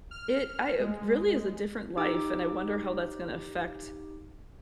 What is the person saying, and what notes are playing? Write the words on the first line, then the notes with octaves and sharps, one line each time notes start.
It I uh, really is a different life and I wonder how that's gonna affect
F6
G#3
D#4 G4 D6